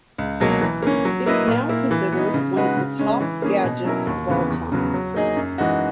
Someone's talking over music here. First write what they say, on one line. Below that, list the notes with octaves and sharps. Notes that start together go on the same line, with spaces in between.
It is now considered one of the top gadgets of all time.
C#2
B2 F#3 A#3
E3
A#3 C#4
F#3
A#3 E4 B4 D#5
A#2
A#3 E4
E3
B3 D#4
C#3
G#3 D#4 F#4 B4
C#3
G#3 C#4
E3
A#3 C#4 G#4
B2
F#3 C#4 E4 A#4
D#2
C#3 E3 B3
E2
C#3 F#3 B3
F#3
A#3 D#4 G#4 D#5
F#2
E3 G#3 D#4 F#4